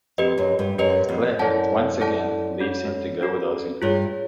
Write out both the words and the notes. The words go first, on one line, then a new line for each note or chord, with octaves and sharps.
Claire once again leaves him to go with Ozzie.
F2 G4 B4 D#5
F#2
G2
F#2 G4 B4 D#5
F2
F#2 E4 A4 D5 F#5 A5
E4 A4 D5 F#5 A5
C#4 F#4 A4
C#4 F#4 A4
G2 F4 G#4 C#5